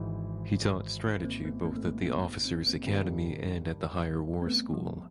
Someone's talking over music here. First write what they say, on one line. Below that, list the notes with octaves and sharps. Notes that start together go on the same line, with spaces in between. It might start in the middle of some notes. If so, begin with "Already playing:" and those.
He taught strategy both at the officers’ academy and at the Higher War School.
Already playing: G#1 G#2 E3
A#3 C4
A3 B3
A#3 C4
A3
G#3 A#3
A3 B3
C4
A#3 C4
G2 D#3 G3
C4
A3 B3
F3 G3